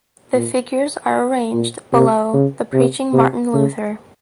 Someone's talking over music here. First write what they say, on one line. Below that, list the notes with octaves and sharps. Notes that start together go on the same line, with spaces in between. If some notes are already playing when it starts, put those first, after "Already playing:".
The figures are arranged below the preaching Martin Luther.
A#2
A#2
C3
C#3
C3
C3
C#3